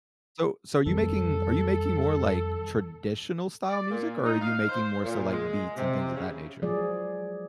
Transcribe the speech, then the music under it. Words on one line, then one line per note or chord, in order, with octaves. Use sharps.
So so are you making are you making more, like, traditional-style music, or are you making more so, like, beats and things of that nature?
F2 D#3 G3 A4
D5
A#2
D#4
F5
C5
A#2
G#3
C3
C#3
F3 F#3 G#3 G#4 D5